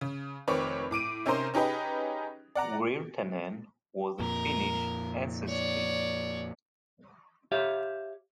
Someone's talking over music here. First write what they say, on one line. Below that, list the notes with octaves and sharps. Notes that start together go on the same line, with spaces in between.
Wirtanen was of Finnish ancestry.
C#3
F1 D#3 C4 B4 C#5 D6
A2 D6 D7 D#7
C3 C#4 D#4 A#4 C5 C6
C#4 D#4 G4 G#4 B4 D#5
D5 F#5 A#5
F2 A#2 A#4
C#5 D5
G4 C#5 E5 F5